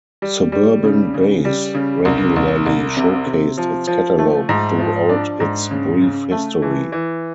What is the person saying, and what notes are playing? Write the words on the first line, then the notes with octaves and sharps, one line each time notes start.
Suburban Base regularly showcased its catalogue throughout its brief history.
G3
G3
C#3
C#3
G3
C#3
C2
C2
C2
C3
C3
F3
F3
A3
G#2
F3
D4
G#2
C#3
C#3
A3
E3
E3